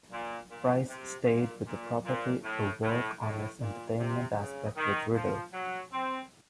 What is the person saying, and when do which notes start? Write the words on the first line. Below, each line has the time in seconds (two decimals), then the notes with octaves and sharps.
Rice stayed with the property to work on its entertainment aspect with Riddle.
0.11 A#2
0.50 A#2
0.89 C3
1.27 A#2
1.66 A#2
2.05 A#2
2.44 A2
2.83 A2
3.21 A2
3.60 A#2
3.99 C3
4.38 C#3
4.76 D#3
5.15 F3
5.54 F#3
5.92 C4